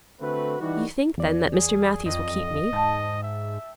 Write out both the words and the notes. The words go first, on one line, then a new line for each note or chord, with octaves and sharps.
"You think then that Mr. Matthews will keep me?"
D3 A3 C4 F#4 B4
E3 G3 D#4 F#4
E2 D5
G#4
F2 D#5
G#2 G5 A5
E5